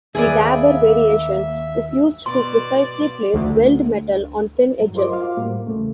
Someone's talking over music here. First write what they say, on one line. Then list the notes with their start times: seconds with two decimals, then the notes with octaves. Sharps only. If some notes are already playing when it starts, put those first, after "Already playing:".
The dabber variation is used to precisely place weld metal on thin edges.
0.15 D#2 A#3 G#4 B4 D5 E5
2.26 B2 D5 C6
3.34 D2
4.80 G2 F#3
4.95 F4 A#4 C5 D#5 C6 D6
5.12 F4 F#4 C5 F5
5.37 A2 G3 A#3
5.67 E2 C#3 A3